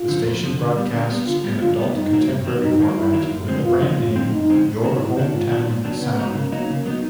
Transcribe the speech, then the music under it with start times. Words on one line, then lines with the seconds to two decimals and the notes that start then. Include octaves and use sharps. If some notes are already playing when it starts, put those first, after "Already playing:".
The station broadcasts an adult contemporary format with the brand name Your Hometown Sound.
Already playing: F4
0.08 D3 F3
0.25 F2
0.43 D3 F3
0.59 D3
0.76 G3 B3
0.93 D3
1.11 G3 B3
1.27 D3 F4
1.44 G3 B3
1.61 D3 F4
1.78 G3 B3
1.94 G2 D#4
2.13 D#3 F#3 A#3
2.29 G2
2.45 D#3 F#3 A#3
2.63 G2 D#4
2.79 D#3 F#3 A#3
2.96 G2 E4
3.13 D#3 F#3 A#3
3.31 F#2
3.48 D3 F3 G#3 C4
3.64 F#2 F4
3.82 D3 F3 G#3 C4
3.98 F#2 F4
4.16 D3 F3 G#3 C4
4.32 F#2 D#4
4.50 D3 F3 G#3 C4
4.66 G#2
4.83 D#3 F#3 B3 D4
5.00 G#2 E4
5.16 D#3 F#3 B3 D4
5.34 G#2 F4
5.50 D#3 F#3 B3 D4
5.68 G#2
5.84 D#3 F#3 B3 D4
6.01 C#3 B3
6.18 F#3 B3 D#4
6.35 C#3 A#3
6.52 F#3 B3 D#4
6.70 C#3
6.86 F#3 B3 D#4